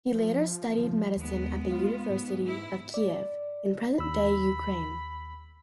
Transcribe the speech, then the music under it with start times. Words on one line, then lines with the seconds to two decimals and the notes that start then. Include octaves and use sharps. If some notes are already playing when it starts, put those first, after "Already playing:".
He later studied medicine at the University of Kiev, in present-day Ukraine.
0.11 F3
1.17 D#2 G#3 B3
1.71 F4
2.10 G#2
2.46 E4
2.94 D5
3.99 D#2 B5 E6